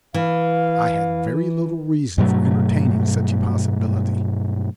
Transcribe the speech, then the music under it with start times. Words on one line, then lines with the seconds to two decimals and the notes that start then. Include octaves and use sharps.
I had very little reason for entertaining such a possibility.
0.14 E3 F5
2.18 G2 B2 F#3 A3